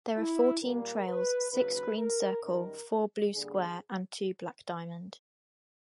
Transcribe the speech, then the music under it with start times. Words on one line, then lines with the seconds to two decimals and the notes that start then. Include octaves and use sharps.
There are fourteen trails, six Green Circle, four Blue Square, and two Black Diamond.
0.16 E4
0.61 A#2 G3 A#3 A#4
1.07 B4
1.52 D#2 C#3 F#3 B4
1.97 A#4
2.43 F#2 D#3 G3 A#4
3.34 G2 D3 G3 A#3 G#4